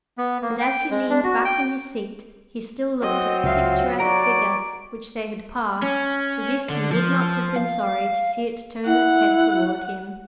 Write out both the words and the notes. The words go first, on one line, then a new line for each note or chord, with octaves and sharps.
And as he leaned back in his seat, he still looked at the picturesque figure which they had passed, as if he would not have been sorry to see it turn its head toward him.
B3
A#3
G5
G#3
D4
F#4
G5
F#3 C4 D#5
C#2 F4 E5 F5
C#5 D5 A#5 D7
C#4
D3
F3
F5
E4 F#5